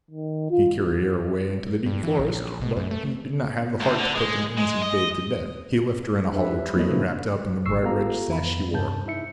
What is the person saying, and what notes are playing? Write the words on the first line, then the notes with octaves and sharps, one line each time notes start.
He carried her away into the deep forest, but he did not have the heart to put an innocent babe to death. He left her in a hollow tree, wrapped up in the bright red sash he wore.
D#3
F4
G2
E3
A#1
B2
F#2
A3
D2
D3
G#3
G#3
D#5
D4 G4 B4 C5 E5
E4
F#3 A#3 C4 A4 C#5 D#5
C#3 F3 G#3 C#4 D#4 B4
G1 A2 C#6 E6 C7
B3 F4 G4 A4 F5 A#5
F2 B3 B5
G2 C3 A5 G6
D#4 E4 E5 C#7